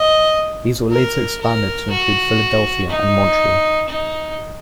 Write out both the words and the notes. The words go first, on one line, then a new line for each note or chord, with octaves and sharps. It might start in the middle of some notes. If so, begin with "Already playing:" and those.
These were later expanded to include Philadelphia and Montreal.
Already playing: D#5
A#4
A#4
F#4
D#4
D#4